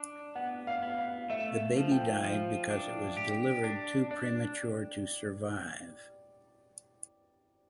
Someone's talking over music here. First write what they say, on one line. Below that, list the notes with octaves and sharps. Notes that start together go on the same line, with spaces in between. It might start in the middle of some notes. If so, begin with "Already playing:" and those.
The baby died because it was delivered too premature to survive.
Already playing: D4
B3 F#5
F5
B3
F5
A3 E5
F3
G5
F3
D4
G4
D4
D4 D5